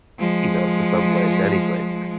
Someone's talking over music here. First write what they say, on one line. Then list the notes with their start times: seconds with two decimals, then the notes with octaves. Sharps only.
you know, to someplace, to anyplace.
0.19 F3 G#3